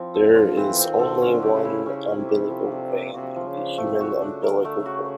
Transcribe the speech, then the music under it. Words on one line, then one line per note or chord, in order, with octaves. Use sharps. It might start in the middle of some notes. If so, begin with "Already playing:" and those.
There is only one umbilical vein in the human umbilical cord.
Already playing: F3 C4 E4
A4
F4
E3 C4
C4
D#3
A4
D3 C#4
G4
C#3
E4
C#3 C#4
C#4
C3
G4
F3
D4
A#3
C3 F#4
F3
C#3
D4
C3 A3
F#4
C#3
D4
D3 A#4
A3
C#3
F#4